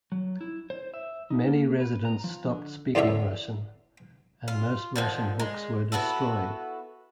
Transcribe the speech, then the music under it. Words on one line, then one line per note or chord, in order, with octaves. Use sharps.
Many residents stopped speaking Russian, and most Russian books were destroyed.
F#3
E4
C5
E5
D#4
A#3
B4
A#5
F3
D3
E2 A2 D3 C#4 E5
F4
D3 D#3 F3
G#3
B3 E4 F#4 A4